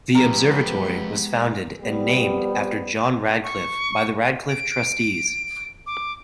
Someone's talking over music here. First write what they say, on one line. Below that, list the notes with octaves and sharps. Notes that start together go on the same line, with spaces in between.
The observatory was founded and named after John Radcliffe by the Radcliffe Trustees.
F2 G#3 B3 G4 A#4 B4
F2 G3 B3 G4
C#6
D7
D6